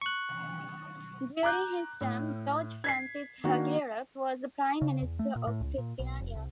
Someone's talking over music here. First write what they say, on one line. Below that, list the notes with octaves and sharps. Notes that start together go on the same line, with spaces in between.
During his term, George Francis Hagerup was Prime Minister in Christiania.
C#6 F#6
A#5 D6 F#6 G6
A2
G#6 B6 C7
D#3 A#3 D4 F#4
C#3
E2
A3
A#2
A2
C#2
A#2
B1
F1
C2